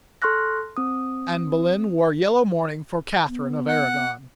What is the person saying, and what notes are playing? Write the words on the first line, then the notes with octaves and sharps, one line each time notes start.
Anne Boleyn wore yellow mourning for Catharine of Aragon.
A4 C6 C#6 F6 F#6 A#6
C4 D#6
B3
F#5